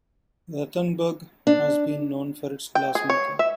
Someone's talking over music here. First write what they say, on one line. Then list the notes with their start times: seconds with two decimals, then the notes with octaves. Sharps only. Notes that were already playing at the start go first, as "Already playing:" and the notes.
Rattenberg has been known for its glass making.
1.47 D4
2.75 G5
2.95 G#4
3.10 C#5
3.39 E5